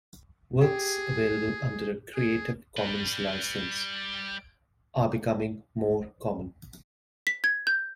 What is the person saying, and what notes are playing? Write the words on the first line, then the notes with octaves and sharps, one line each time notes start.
Works available under a Creative Commons license are becoming more common.
G4 G#4
G#4
G3 B4
B6
G#6
G6